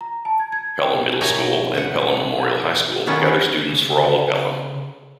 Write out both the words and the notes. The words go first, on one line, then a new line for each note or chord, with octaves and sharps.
Pelham Middle School and Pelham Memorial High School gather students for all of Pelham.
A#5
A5
G#6
G#6
G5
B2 A#4 C#5 E5 G5 G#5
E5 F#5
D#3 F#3 B3 C#4 E4 F4
C#3